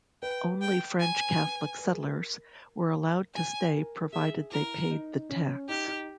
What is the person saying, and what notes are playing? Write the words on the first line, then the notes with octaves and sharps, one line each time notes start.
Only French Catholic settlers were allowed to stay provided they paid the tax.
B4 G5
G5
G#5
B4
A#4
G#4
A#4
G#5
A#4
G#4 E5
E4 A#4
D#4
C#4
D#4 G4
D#4